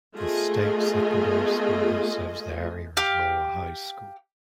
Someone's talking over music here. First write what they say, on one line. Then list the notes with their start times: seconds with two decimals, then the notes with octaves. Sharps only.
The state secondary school that serves the area is the Royal High School.
0.17 A3 B3 F4 G#4 D#5
2.97 G4 F5